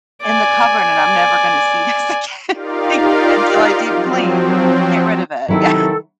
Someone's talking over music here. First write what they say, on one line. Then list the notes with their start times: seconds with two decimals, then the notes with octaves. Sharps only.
in the cupboard, and I'm never gonna see this again, like, until I deep clean, get rid of it, yeah.
0.23 D5 G#5
2.50 D#4 F4 G4 A#4 D5 F5
3.85 F3 F#3 C4
5.49 C3 D#3 F#3 E4 A4